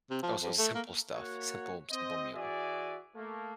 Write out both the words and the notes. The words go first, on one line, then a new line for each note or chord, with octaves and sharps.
Oh, so simple stuff; simple simple meal.
C3
F3
F2
A3
A#3
A#3 F#4 C#5 F#5
C4 C5 D#5
E3 F#4 G#4 D5 E5 G#5
A3 A#3